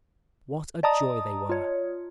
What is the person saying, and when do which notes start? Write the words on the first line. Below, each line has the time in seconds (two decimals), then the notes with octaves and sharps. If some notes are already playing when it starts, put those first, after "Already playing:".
What a joy they were!
0.83 D5 D#5 A5 A#5 D#6
1.49 F4 C#5